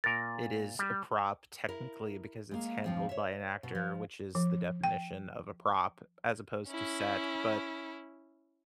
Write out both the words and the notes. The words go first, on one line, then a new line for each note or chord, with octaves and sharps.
it is a prop technically because it's handled by an actor, which is the definition of a prop as opposed to set, but
A#2 A#4 A6
G3
E4 A#4
G#3 A#3
D#2 F3 C4
C#5 E5
B2
F3
F3
G5
C#4 E4